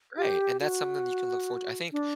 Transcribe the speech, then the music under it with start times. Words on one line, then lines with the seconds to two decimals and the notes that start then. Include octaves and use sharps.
Great, and that's something that you can look forward to I think
0.18 G4
0.60 F#4
1.92 D4